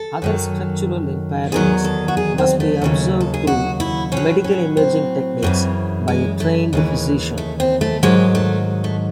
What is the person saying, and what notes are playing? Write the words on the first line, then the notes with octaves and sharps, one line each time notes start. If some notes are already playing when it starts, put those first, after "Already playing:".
Other structural impairments must be observed through medical imaging techniques by a trained physician.
Already playing: A4
F#2 D#3 F#3
E2 D#3 F#3 G#4
A4
F#4
G#4
C4
A3
D#2 C#3 F#3
A4
G#4
F#4
E4
A2 F#3 C#4
C#4
C4
F#2 C#3 E3
G#3
A3
D#2 C#3 E3 G#3
A3
C4
A3
G#2 D#3 F#3 G#3
A3
A3